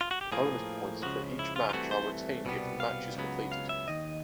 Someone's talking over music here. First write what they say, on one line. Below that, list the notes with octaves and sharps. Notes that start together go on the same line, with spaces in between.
The bonus points for each match are retained if the match is completed.
F4
F#4
G4
A2 F3 A#3 G#4
C#2 C#3 F3 F#4
E4
F4
F4
C2 C3 E3 A3 F#4
C5
C2 B2 G3 B3
F5
C#2 C#3 F#3 B3
F5
E5
D#2 D#3 D#5